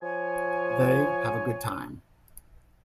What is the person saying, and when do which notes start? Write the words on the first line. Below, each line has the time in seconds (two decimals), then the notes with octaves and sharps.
They have a good time.
0.03 F3 C#5 G#5